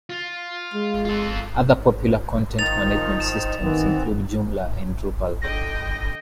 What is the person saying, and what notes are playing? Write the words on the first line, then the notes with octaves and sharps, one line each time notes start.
Other popular content management systems include Joomla and Drupal.
F4
G#3
F4 A4
D#3 F3 D#4 A6 F7
E7
D#3 E3 B3 C4
D3 D#5 G5 A#6